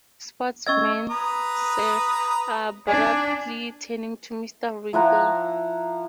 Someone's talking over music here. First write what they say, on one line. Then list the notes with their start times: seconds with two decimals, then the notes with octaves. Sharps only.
Sportsman, sir?’ abruptly turning to Mr. Winkle.
0.67 C#4 D#5 E5 C#6 E6 G#6
1.10 B4 A#5 D#6
2.88 D4 G#5
4.93 F3 E4 F#5 A#5